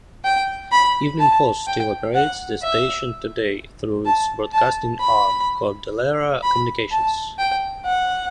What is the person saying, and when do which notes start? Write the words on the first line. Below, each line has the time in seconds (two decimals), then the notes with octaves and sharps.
Evening Post still operates the station today through its broadcasting arm, Cordillera Communications.
0.25 G5
0.72 B5
1.19 A5
1.67 G5
2.15 F#5
2.63 E5
4.05 A5
4.53 A5
5.00 B5
6.43 B5
6.91 A5
7.39 G5
7.86 F#5